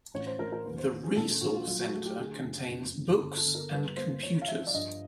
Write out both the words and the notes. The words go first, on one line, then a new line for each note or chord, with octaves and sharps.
The Resource Center contains books and computers.
A1 C#5
C5
A1 A#4
A#4
D#2 B4
C5
D#2
G#4
A#1 A4
A4
A#1 F#4
F4
F#3 F4
F#4
A3 G#4
G4
D3 G#4
F#1
F2
G1
G1 A4
A4
G1
A#4
G3 B4
A#3 C5
F3 C#5
F5
F3 E5
D5
G2 D#5